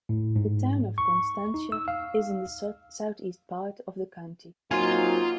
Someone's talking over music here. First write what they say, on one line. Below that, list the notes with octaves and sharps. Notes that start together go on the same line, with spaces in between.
The Town of Constantia is in the southeast part of the county.
A2
G#2
C#6
D#4
E6
F5
F#3 A#3 C4 D#4 F4 G#5 C6